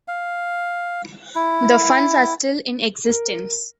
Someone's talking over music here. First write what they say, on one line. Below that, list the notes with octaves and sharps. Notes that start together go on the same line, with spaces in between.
The funds are still in existence.
F5
E4
A#4